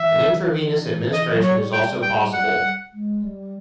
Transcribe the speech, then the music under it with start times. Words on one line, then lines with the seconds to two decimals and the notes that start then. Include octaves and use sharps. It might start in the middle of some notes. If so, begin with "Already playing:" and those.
An intravenous administration is also possible.
Already playing: E3 E5
1.13 E3 D#5
1.33 F#3
1.43 C#5
1.53 G3
1.73 G5
2.02 G5
2.33 F#5
2.93 G#3
3.23 G3